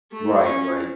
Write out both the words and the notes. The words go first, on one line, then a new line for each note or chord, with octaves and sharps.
Right, right.
A3
C#4